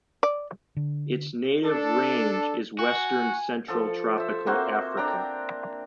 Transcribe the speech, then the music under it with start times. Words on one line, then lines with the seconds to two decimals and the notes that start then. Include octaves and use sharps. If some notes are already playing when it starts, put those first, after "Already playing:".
Its native range is western central tropical Africa.
0.23 D5
0.77 D3
1.65 D4 A4
2.79 F#4 G#5
3.68 F3 A4
4.18 C5 E5
4.46 A#3 C4 F#4 C5
4.97 D4 G5 A#5